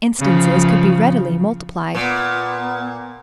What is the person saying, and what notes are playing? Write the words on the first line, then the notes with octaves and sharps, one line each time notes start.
Instances could be readily multiplied.
C#3 F3
A#2 B3